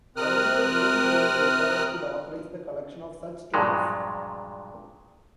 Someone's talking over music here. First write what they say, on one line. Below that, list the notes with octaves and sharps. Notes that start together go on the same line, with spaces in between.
Only the Holy Roman Emperor could authorise the collection of such tolls.
C3 C4 A#4 D#6 F6 F#6
G2 A#2 F3 F#3 G#3